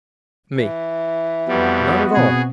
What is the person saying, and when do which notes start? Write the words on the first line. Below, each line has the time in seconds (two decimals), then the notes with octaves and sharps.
ME: Not at all.
0.58 E3
1.48 F2 G3 B3 F#4
2.14 B2 C4 G#4